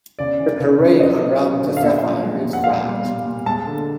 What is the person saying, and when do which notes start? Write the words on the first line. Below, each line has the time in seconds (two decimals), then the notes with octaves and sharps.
The terrain around the Sapphire is flat.
0.19 C#3 D5
0.39 E3
0.60 C#3
0.80 C#3
1.00 F#3 D#5
1.21 F#3
1.41 F#3
1.62 D3
1.77 F5
1.83 A#2 E5
2.02 F3
2.23 G#3
2.44 A#2
2.53 F#5
2.64 A#2 F5
2.85 G3
3.05 A#2
3.26 A#2
3.46 G#3 A5
3.67 D3